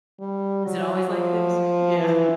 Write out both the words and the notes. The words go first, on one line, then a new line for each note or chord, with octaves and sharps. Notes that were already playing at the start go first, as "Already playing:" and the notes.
Is it always like this? Yeah.
G3
F#3
F3
E3